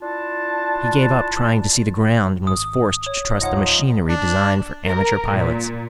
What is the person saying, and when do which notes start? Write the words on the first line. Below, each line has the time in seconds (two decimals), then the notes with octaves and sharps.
He gave up trying to see the ground and was forced to trust the machinery designed for amateur pilots.
0.02 D4 E4 F4 A5
2.47 G#1 D#6
3.06 C#5
3.41 D1 F3 D#4 C#5 F#5 A#6
4.09 D4
4.87 A#4
5.33 A#2